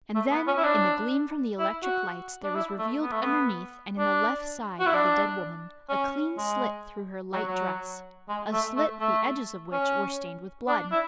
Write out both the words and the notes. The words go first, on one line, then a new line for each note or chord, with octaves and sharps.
And then, in the gleam from the electric lights there was revealed underneath and in the left side of the dead woman a clean slit through her light dress--a slit the edges of which were stained with blood.
A3
B3
C#4
E4
D4
E4
F#4
D4
E4
A3
B3
A3
B3
D4
F#4
E4
D4
C#4
G#3
F#3
F#3
G#3
A3
A3
A3
C#4
D4
E4